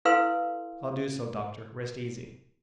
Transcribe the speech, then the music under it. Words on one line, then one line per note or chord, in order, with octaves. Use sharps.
"I'll do so, doctor; rest easy."
E4 A4 B4 F5 C6 E6